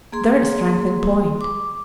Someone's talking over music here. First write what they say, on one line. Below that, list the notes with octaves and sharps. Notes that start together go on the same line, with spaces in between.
There is Franklin Point.
A#3 G#4 C6
D6